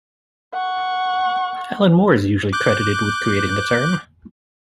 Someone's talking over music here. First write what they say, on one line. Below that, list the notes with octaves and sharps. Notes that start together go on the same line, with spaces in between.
Alan Moore is usually credited with creating the term.
F#5 C#6
D6 F#6 G6